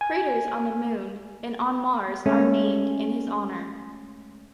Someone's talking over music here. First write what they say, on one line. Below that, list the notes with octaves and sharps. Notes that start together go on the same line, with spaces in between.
Craters on the moon and on Mars are named in his honor.
G#5
G#3 A3 C#4